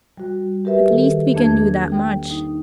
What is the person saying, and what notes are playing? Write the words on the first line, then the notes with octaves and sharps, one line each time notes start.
At least we can do that much.
G3 F#4
G4 A#4 B4 E5
D#3 A4
E2 A#3 D4 A5 G#6
G5
D#4